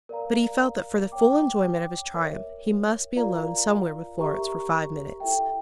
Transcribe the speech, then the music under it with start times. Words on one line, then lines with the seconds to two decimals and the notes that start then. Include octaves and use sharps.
But he felt that for the full enjoyment of his triumph he must be alone somewhere with Florence for five minutes.
0.09 A#4 D5 F5 A#5
1.12 C#5 G5 D6
2.14 A#4 C#5 E5
3.16 F4 A#4 D5 F5 A#5
4.19 G4 A#4 E5 A#5 C#6
5.20 E4 A4 E5 G5